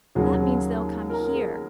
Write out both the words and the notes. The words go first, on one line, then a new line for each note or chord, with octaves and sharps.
That means they'll come HERE.
D#2 C#3 F#3 G#4
A#4
G#4